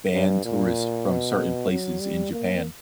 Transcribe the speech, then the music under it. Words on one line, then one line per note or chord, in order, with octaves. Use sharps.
ban tourists from certain places in Japan
G2
A#2
B2
F#3
G3
A#3